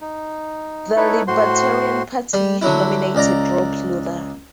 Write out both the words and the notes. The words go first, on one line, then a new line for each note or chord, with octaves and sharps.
The Libertarian Party nominated Robb Luther.
D#4
D#4 E4 A4 B4 C#5
A2 F#4 C5 C6
G3
D3 F#3 E4
C#2 D5 A#5